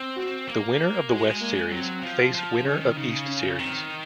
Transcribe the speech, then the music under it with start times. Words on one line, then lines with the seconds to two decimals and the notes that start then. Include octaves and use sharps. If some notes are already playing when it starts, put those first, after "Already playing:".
The winner of West series face winner of East series.
Already playing: C4
0.16 F#4
0.47 A#3
1.10 G#3 F#4
1.41 A#3
1.72 F#3 C4
2.03 F3
2.34 F3
2.65 D#3 C#4
2.96 C#3 D#4
3.28 C#4
3.59 D#3 C4